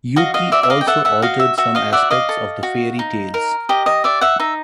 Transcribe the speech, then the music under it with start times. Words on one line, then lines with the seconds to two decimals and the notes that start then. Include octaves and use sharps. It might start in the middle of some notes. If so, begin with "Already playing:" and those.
Yuki also altered some aspects of the fairy tales.
0.16 F#4 D#5 F5
0.34 D#5 F5
0.52 D5 E5
0.63 E5
0.70 D#5 F5
0.81 G5
0.87 A4 E5 F#5
1.05 E5 F#5
1.22 F#4 D#5 F5
1.40 E5
1.58 F#4 E5
1.75 D#5 F5
1.93 D5 E5 F#5
2.11 D#5 F5
2.29 A4
2.63 F#4
2.99 D#4
3.34 A#4
3.69 G4 D#5
3.86 D#5
4.04 D5 E5
4.21 E5 F#5
4.40 D#4 E5